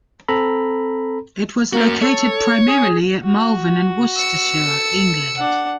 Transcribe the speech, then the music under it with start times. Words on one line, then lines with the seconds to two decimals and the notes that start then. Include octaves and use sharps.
It was located primarily at Malvern in Worcestershire, England.
0.28 C4 A4 A#5 B5
1.73 A#3 F#4 A#4
2.02 A4 C#5
2.67 G#4
3.23 F#4
4.17 E6 C#7
4.65 A4
5.36 D4 F#5